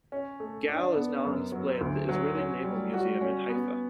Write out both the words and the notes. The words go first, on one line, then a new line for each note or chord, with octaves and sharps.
"Gal" is now on display at the Israeli Naval museum in Haifa.
C#4
A3
D4
B3
F#2
F#3
D2
F#3
C#4
G3
F#4
C#4
B3